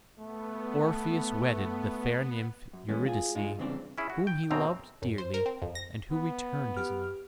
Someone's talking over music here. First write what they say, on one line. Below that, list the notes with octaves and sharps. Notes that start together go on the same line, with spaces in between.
Orpheus wedded the fair nymph Eurydice, whom he loved dearly, and who returned his love.
A3 B3
F#2
E2 G#3 B3 C#4
F4 G#4
G2 G#3 D#4 F4 G#4
C2 C#3 E3 C4 D4
C#4 E4 G#4
F#4
G5
B1 F#2 B2 C4 A#5
F#2
C5
A#4
C4
F2
A#6
B3
G4 F6